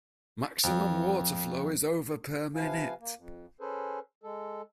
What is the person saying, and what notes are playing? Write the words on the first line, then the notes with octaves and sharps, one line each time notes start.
Maximum water flow is over per minute.
F2
C3 F3 B4 F5 G#5
A#3
F2
C#4 G#4 A4 B4 C5
G#3 A4